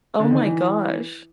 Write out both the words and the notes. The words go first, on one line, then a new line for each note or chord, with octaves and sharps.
Oh my gosh.
D3
D#3
E3